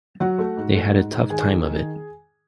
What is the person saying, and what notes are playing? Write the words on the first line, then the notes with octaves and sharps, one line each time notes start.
They had a tough time of it.
F#3 F#4 F#5
A3
G#2
A3
G#2
G#2
D#3 G#4 G#5
D#3
D#3